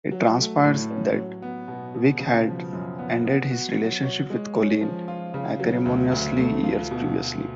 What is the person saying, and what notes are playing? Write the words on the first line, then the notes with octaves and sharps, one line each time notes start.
It transpires that Vic had ended his relationship with Colleen acrimoniously years previously.
F#3
A3
A2
C#4
F#3
B3
B2
B2
C#3
F3
F#2
B3
B3
F#4
F#3
C#5
G#3
C#4
F3
F4
C#3
F#3
D2
D2
A3
F4
B2
B2